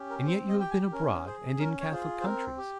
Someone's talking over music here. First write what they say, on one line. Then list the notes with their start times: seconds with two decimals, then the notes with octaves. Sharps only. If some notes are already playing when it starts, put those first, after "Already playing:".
"And yet you have been abroad, and in Catholic countries?"
Already playing: C#4 G4
0.10 A#4
0.26 C4 C5
0.49 D#5
0.59 G4 G5
0.71 G#5
0.92 C#4 A#4
1.26 G#4 C5
1.59 C#4 A#4
1.81 C#5
1.92 F4 G#4 C5
2.21 C5
2.25 C4 A#4
2.58 G4